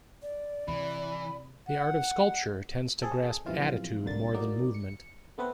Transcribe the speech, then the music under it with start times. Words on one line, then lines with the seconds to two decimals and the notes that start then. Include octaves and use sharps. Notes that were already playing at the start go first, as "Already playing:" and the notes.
The art of sculpture tends to grasp attitude more than movement.
0.22 D5
0.68 C3 E3 B5
1.68 F#5
3.02 C4 G#4 A4
3.46 A#1 F#2 C3 E3 F4
4.06 C2 D3 A#3 A6
4.34 F#3 A#3 D#4 D5
4.74 C#7
5.38 A3 B3 C4 B4